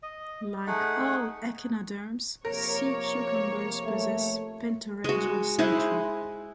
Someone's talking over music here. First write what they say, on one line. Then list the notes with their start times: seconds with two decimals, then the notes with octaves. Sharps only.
Like all echinoderms, sea cucumbers possess pentaradial symmetry.
0.03 D#5
0.67 A3 D#4 G#4 F#5
2.45 C3 F3 A#3 A#4 C#5
3.84 A3
5.04 G#3 F#4
5.59 G#3 E4 C5 F#5